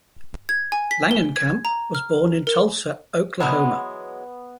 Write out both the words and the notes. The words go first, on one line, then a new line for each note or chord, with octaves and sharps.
Langenkamp was born in Tulsa, Oklahoma.
G#6
G#5
B6
G7
G#6
A#5
F6
A#4
E3 F#3 G#3 B3